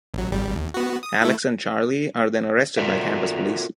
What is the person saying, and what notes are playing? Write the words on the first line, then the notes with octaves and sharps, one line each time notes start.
Alex and Charley are then arrested by campus police.
A1 F#3
G#1 G3
D#2
B3 F#4
D#6
A3 E4
F4 F#4 A4 A#4 D5 E5